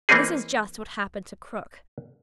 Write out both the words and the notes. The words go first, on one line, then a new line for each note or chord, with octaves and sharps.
This is just what happened to Krook.
E3 A#3 C4 C#4 D#4 G#4